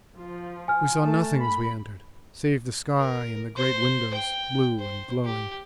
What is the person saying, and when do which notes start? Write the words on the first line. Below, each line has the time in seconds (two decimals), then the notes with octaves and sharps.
We saw nothing as we entered, save the sky in the great windows, blue and glowing.
0.16 F3 F4
0.68 G#5 F6
1.02 A3 A5
1.41 B5
2.98 A#4
3.56 C5
4.13 G5
4.79 C5
5.24 G4